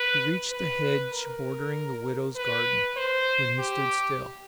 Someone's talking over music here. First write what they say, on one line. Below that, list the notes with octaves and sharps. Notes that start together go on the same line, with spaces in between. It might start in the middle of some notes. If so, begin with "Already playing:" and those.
He reached the hedge bordering the widow's garden, when he stood still.
Already playing: B4
B4
A#4
B4
C5
G4